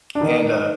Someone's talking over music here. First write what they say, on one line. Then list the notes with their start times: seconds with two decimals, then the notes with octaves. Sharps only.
And, uh,
0.15 D4
0.21 D#3 D#4